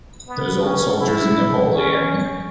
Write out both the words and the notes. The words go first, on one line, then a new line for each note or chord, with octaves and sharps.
Those old soldiers of Napoleon!
B3
C#4
E4
C#4